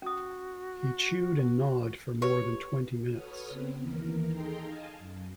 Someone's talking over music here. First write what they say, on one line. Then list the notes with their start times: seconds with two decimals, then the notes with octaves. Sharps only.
He chewed and gnawed for more than twenty minutes.
0.02 C#4 F#4 D#6
2.22 G4 B4 C#5
3.13 F#4 A4 B4 C#5 D#6 F6
3.47 C#3 B3 C4
3.78 D#2 E3 A#4
4.30 D#4 G#4 A4 G5 A#5 C6
4.62 D#5 F5 G#5 A5
4.98 F#2